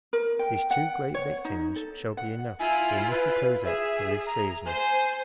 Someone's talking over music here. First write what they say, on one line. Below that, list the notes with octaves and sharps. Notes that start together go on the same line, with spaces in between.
These two great victims shall be enough for the Mista Kosek of this season.
A#4
G5
F#5
C#5
D#4
A4
F#5
E4 F4 G#5
B4
G#4 E5
A#5
C5 G#5